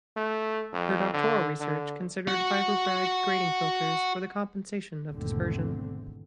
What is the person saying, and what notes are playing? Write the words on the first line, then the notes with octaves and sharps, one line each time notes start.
Her doctoral research considered Fiber Bragg grating filters for the compensation of dispersion.
A3
F2
D3
D3
F#4 F#5
G#1 E2 B2 D3 A3 C4